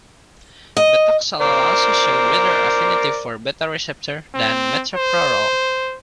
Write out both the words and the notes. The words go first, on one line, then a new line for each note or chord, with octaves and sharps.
Betaxolol also shows greater affininty for beta receptors than metoprolol.
D#5
A#4 C5 D5
C4
C5